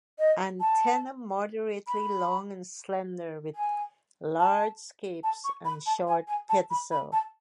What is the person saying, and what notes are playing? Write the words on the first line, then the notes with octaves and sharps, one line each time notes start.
Antenna moderately long and slender with large scape and short pedicel.
D#5
A5
B5
G#5
A5
A5
C#6
B5
A5
G#5
G#5
A5
B5
B5
A5